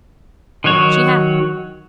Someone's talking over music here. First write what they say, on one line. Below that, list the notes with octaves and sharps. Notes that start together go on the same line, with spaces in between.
She had.
D#3 F#3 F#4 C#5